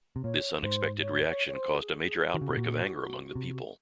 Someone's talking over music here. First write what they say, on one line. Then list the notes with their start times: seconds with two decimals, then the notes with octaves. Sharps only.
This unexpected reaction caused a major outbreak of anger among the people.
0.16 C3
0.24 A#2 C#5
0.63 G#2 C5
1.02 C#5
1.28 C#5
1.47 C#5
1.53 C5
1.75 F#4
1.80 G#4
2.05 G#4
2.31 D#3 F#4
2.41 C#3
2.50 C3
2.57 A#2
3.35 C3